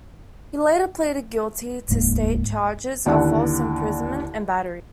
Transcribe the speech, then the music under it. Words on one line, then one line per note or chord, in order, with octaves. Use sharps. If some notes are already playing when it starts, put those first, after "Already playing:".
He later pleaded guilty to state charges of false imprisonment and battery.
D#1 C#2 G#2 A#3
D#2 D3 D4 E4 D5 F#5